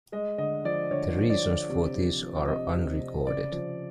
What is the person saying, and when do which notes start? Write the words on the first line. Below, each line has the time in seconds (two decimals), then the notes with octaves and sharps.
The reasons for this are unrecorded.
0.12 G#3 D#5
0.38 D3 D#5
0.65 F3 D5
0.91 D3 C#5
1.17 F3
1.30 D5
1.43 D3
1.70 C3
1.95 F3
2.22 F3
2.48 C3 D#5
2.74 C3
3.00 C3
3.27 C#3 D5
3.52 F3